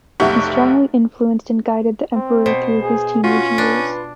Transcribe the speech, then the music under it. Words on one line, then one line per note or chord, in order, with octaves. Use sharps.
He strongly influenced and guided the emperor through his teenage years.
F1 B1 G4 E5 F#5 C#6
C4
B2 C5
G#4
C#4 F4 F#4
D4 B4